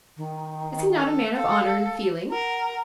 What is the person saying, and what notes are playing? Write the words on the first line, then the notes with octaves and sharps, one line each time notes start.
Is he not a man of honour and feeling?
D#3
A4
A4 F5
A#4 F#5